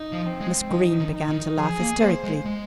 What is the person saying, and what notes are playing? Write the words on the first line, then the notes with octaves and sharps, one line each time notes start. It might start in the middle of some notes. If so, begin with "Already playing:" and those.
Miss Greene began to laugh hysterically.
Already playing: D#4
F3
C4
G#3
F3 D#4
D#3
D#4
D#3
F3 G#4
A#3
A#3 C5
G#3
G#3